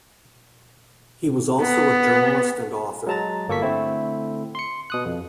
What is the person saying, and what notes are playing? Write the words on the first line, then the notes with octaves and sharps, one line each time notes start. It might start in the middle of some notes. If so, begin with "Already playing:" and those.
He was also a journalist and author.
B3
F#3 G#3 A5 A#5 A6
G1 A#3 A4 C#6 B6
D3 A3 C4 E4
C6 C#7
B2 D#6 F#6
F2